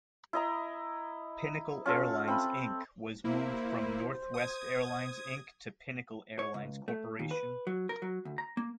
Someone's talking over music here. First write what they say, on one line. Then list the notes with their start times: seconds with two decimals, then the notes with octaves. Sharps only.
Pinnacle Airlines, Inc was moved from Northwest Airlines, Inc to Pinnacle Airlines Corporation.
0.33 E4 D#5 A#5
1.86 C#4 F4 A4
2.28 C4 E5 B5
3.24 A#3 E4 C5
4.34 D#6 G#6
6.39 C#5
6.54 C#2
6.88 A3
7.19 D#2
7.31 B4
7.67 F#3
7.89 A#4
8.02 F#3
8.25 D2
8.38 A#5
8.57 A#3